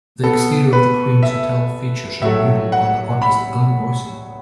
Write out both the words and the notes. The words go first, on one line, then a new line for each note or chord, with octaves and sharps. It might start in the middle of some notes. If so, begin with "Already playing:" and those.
The exterior of the Queen's Hotel features a mural by the artist Alan Boyson.
B2 B3 A4
B4
E5
A2 F#3 A3 E5
F#5
B5